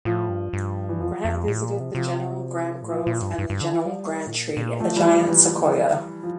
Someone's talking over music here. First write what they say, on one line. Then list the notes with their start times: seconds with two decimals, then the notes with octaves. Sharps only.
Grant visited the General Grant Grove and the General Grant tree, a Giant Sequoia.
0.05 A2 F3
0.29 G2
0.53 G2
0.89 E3
1.00 F2 F3
1.25 F2
1.48 A2
1.63 A#2
1.80 C3
1.95 C3 F3
2.83 A2
2.90 A#2 F3
3.07 A#2
3.22 G2
3.38 G2
3.50 G2
3.61 D3
3.73 E3
3.86 G3
4.27 A2
4.33 A#2
4.57 A#2
4.80 F3 A3
4.96 E3 G3
5.12 F3
5.28 E3 G3
6.23 F3